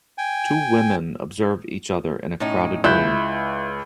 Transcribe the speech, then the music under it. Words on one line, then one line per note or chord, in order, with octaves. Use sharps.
Two women observe each other in a crowded room.
G5 G#5
A2 C#4 D#4
C#2 E4 F#6 G6